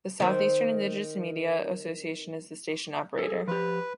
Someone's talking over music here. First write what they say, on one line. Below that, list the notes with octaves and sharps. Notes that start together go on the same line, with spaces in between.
The South Eastern Indigenous Media Association is the station operator.
D#3 C4
G#4 A4
F3 G4 B4